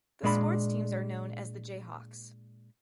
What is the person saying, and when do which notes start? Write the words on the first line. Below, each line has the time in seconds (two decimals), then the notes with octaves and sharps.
The sports teams are known as the Jayhawks.
0.23 A#2 G#3 D4 D5 B5